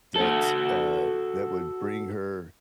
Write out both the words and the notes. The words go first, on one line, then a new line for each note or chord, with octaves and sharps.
that, uh, that would bring her,
F#4 A4